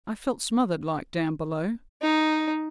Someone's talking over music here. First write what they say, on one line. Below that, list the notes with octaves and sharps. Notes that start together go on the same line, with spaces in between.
I felt smothered like down below.
D#4